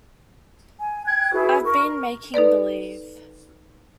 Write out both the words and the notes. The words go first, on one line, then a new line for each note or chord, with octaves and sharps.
I have been making believe.
G#5
G5 F#6 G#6
E4 F#4 G#4 B4
A#4 C#6
A#4
D#4 A4 B4 D5